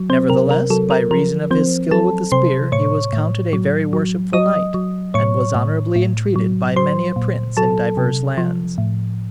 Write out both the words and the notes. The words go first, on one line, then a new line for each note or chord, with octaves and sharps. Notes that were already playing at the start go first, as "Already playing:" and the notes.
Nevertheless, by reason of his skill with the spear, he was counted a very worshipful knight, and was honourably entreated by many a prince in divers lands.
Already playing: F#3
C4 C5
C3 A#4
A#4
F#3 A4
A#4
F3 A#4
F3 C4 C5
F#3 A4 A5
C3 C5 C6
A2 C#5 C#6
A2
F#3
F#3
F#3 D#5 D#6
F#3
A2 C#5 C#6
A2
A2
F#3
F#3 C5 C6
A#2
F#3 A4 A5
C3
F3
A2